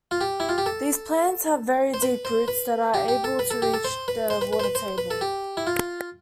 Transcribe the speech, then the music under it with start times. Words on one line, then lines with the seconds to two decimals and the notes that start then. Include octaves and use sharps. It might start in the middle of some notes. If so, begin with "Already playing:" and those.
These plants have very deep roots that are able to reach the water table.
0.11 F4
0.21 G4
0.40 E4
0.49 F4
0.58 G4
0.66 A4
1.94 C5
2.02 B4
2.25 C5
2.48 B4
2.94 G4
3.08 G4
3.24 A4
3.39 B4
3.51 A4
3.62 G4
3.74 A4
3.85 C5
4.08 B4
4.30 C5
4.41 B4
4.53 B4
4.60 C5
4.64 B4
4.75 C5
4.98 B4
5.11 A4
5.21 G4
5.57 E4
5.67 F4